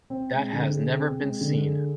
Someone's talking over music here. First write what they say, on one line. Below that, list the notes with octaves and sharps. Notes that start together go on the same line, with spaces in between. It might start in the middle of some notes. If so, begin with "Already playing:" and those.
That has never been seen.
C4
G#3
D3
G#4
C4
G#3
D3
G#4